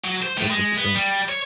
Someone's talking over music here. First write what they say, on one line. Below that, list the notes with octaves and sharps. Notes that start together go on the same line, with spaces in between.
That's interesting.
F#3
C5
A2
G#3
B3
G3
C#5